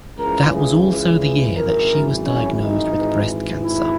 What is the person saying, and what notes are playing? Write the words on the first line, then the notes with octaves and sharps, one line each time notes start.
That was also the year that she was diagnosed with breast cancer.
C#2 C#3 E3 A#4
G#4
G#1 F#2 E3 A#4
C#4
D#4
G#1 G#2 E3
E4